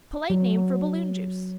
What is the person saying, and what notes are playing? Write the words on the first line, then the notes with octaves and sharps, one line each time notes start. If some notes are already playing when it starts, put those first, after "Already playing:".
A polite name for balloon juice.
F#3